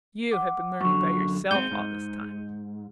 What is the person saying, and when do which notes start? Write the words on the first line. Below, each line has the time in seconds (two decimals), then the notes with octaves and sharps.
You have been learning by yourself all this time.
0.31 F#5 D6
0.81 F#2 D3 C#6
1.51 G#2 C4 G#4 G6 C#7 D#7
1.71 G#2